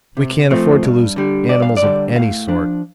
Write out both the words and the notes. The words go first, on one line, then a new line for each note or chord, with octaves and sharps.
We can't afford to lose animals of any sort.
C3
F3 A3 C4
G2
D3 G3
G2 D5
F5
D5
D3 G3
A2 F5
F3 D4